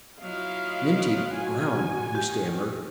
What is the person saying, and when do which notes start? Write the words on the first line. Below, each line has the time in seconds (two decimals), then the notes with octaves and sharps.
"Minty Brown!" he stammered.
0.22 F#3 E4 F4 D#5 F5
1.31 F#4 G#5
2.15 D#3 G4